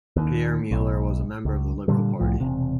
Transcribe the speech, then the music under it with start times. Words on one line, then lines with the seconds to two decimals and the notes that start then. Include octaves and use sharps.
Pierre Muller was a member of the Liberal Party.
0.16 D#2
0.71 B1
1.45 C#2
1.88 A#2 D3 G3
2.20 C2 A2 F3
2.40 E1 B1 C3